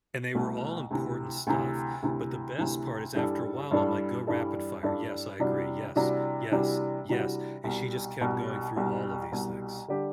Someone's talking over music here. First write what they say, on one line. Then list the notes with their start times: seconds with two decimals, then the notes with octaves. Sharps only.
And they were all important stuff, but the best part is after a while, I'm like, "Go rapid fire. Yes, I agree. Yes, yes, yes." And she just kept going through all of these things.
0.35 C2 B2 A3
0.91 D2 C3 E3
1.47 D2 C3 E3
2.03 D2 C3 E3
2.58 D2 C3 E3
3.15 G2 E3 G3 D4 A4
3.71 G2 E3 G3 D4 A4
4.27 G2 E3 G3 D4 A4
4.83 G2 E3 G3 D4 A4
5.40 C3 E3 G3 D4 F#4
5.96 C3 E3 G3 D4 F#4
6.52 C3 E3 G3 D4 F#4
7.09 C3 E3 G3 D4 F#4
7.64 C2 B2 G3
8.21 C2 B2 G3
8.76 C2 B2 G3
9.32 C2 B2 G3
9.88 D3 G3 D4 G4